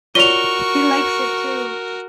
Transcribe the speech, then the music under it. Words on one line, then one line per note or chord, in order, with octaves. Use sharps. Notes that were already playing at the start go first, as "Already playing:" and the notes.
He likes it too.
F4 F#4 A#4 C#5 D5 C#6 F7 G7